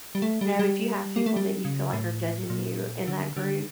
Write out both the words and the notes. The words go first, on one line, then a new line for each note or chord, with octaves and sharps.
you know, if you have people that you feel like are judging you in that group,
G3
A3
G3
G3
A#3
A3
G3
C#3
A2
A#2
D3
D3